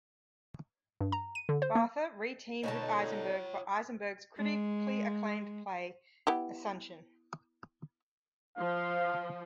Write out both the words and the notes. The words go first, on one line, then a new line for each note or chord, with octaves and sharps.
Bartha re-teamed with Eisenberg for Eisenberg's critically acclaimed play, Asuncion.
G2
A#5
D#7
D3
C5
A#3
B2 D3 D#4 F4 C#5 A5
G#3
B3 E4 G4
F3 F5